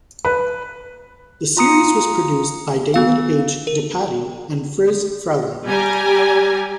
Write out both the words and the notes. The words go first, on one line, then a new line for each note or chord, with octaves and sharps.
The series was produced by David H. DePatie and Friz Freleng.
B4
F4 A#5 D#6 C#7
D#3 B3 F5
A#4
G3 G4 G#5 A#5